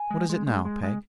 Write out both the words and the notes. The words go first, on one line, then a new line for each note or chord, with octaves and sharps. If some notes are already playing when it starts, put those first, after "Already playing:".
What is it now, Peg?'
Already playing: G#5
G#3
G#3
G#3
G#3
G#3